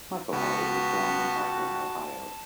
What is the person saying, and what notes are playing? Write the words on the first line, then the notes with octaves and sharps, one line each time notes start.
Michael Holley was born in Akron, Ohio.
C#2 B3 F#4 A5